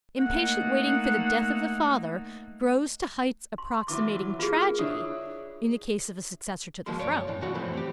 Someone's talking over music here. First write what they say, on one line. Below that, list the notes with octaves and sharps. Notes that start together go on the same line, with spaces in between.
Impatient waiting for the death of the father grows to heights approximating tragedy in the case of a successor to the throne.
A3 A#3 D#4 F#5
C6
E2 E3 F#3 D6
A#3 F4 G#4
D4 E4 C#5 D#6
F3 F#3 G#3 A#3 C6
G2 C#5 D5
F#2 A2 E3
B1 G2 C#3 G#3 F#4 C#5
F2 A2 E3 A3 C4
C4 G4